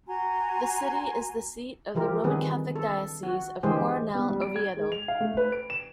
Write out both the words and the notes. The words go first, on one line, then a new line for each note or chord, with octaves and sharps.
The city is the seat of the Roman Catholic Diocese of Coronel Oviedo.
F#4 G#5 A#5 C6
E3 F3 G4 A#4
D#3 G3 C4 G#4 B4
A4
F#4
D3 E3 G#3 G4 G#4 C5
B3
G3
D7
G#6
G#3
F7
F5
A3
B4
D7
E7